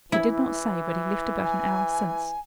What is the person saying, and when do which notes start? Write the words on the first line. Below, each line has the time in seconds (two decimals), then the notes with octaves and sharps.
"He did not say, but he left about an hour since."
0.12 E3 E4
1.43 G#5